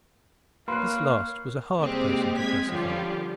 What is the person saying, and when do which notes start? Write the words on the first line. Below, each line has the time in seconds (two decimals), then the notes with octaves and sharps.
This last was a hard person to classify.
0.68 A#3 A#4 B4 C#5 F5 C6 F#6
1.79 C3 G3 G#3 A#3 C4 G4
2.38 G#3 C4 G#6 B6
2.69 D3 F3 G3 C#4 F4 G4